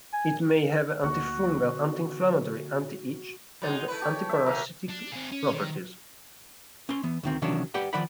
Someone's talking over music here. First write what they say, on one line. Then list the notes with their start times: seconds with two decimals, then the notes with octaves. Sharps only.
It may have antifungal, anti-inflammatory, anti-itch, and antiparasitic properties.
0.13 G#5
1.04 D2 A#3 F#4
1.62 D3 B3
3.62 F#3 G#3 D#4
3.88 A3 E4 B4
4.02 G4 C#5
4.29 E5
4.46 D#3 F#3 D#4 A#4 E5
4.89 D4
5.12 C4 G#4
5.32 C#4
5.53 D#3
6.89 C#4 C6
7.03 E3 B3
7.23 D2 D#3 C4
7.42 C3 D#3 E3 F#3 C#4 D4
7.74 G4 B4 D5 F#5 G5
7.93 D#3 F3 D5 F#5 B5